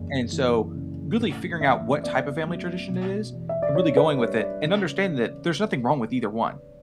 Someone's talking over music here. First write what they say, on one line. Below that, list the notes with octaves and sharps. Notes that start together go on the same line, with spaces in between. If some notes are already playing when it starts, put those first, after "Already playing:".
And so really figuring out what type of family tradition it is and really going with it and understanding that there's nothing wrong with either one,
Already playing: F#1 E2
E3
C#3
A2
A1 E5
B3 D5
F#3
B2
E2
E5
D5
D4 C#5
B4
G3 C#5
D5
C#3